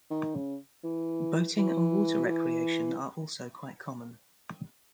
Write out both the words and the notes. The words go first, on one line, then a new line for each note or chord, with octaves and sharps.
Boating and water recreation are also quite common.
D#3
C#3
E3
E3
F#3
E3